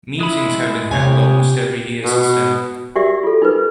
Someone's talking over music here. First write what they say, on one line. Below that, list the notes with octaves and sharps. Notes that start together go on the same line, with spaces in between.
Meetings have been held almost every year since then.
G#3 E4 B5
C3 G4 C#5 G#5
B2
F#4 G4 A#4 D5 E5
F4 A4
D#4 A#4 B4